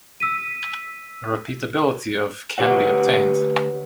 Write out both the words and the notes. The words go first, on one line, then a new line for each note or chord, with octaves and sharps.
A repeatability of can be obtained.
E6 B6 D#7
D2 G4 B4 C#5 F#5